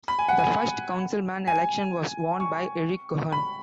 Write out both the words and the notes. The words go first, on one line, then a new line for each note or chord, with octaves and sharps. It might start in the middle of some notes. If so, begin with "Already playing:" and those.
The first councilman election was won by Eric Cohen.
B5
G#5
F#5
G#5
G#5
C#6
B5